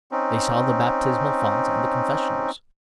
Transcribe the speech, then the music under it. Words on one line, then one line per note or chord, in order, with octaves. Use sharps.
They saw the baptismal font and the confessionals.
C4 C#4 D#4